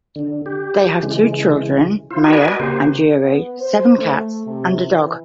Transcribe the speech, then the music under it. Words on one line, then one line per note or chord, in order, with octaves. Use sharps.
They have two children, Maya and Uri, seven cats and a dog.
D3
G4
C#3 E3 G#3
E4 F4 C5
F#4 A#4 B4 D5 D#5 G#5
C#3 A#3 G4 C5
B3
C5
A3
C3
E3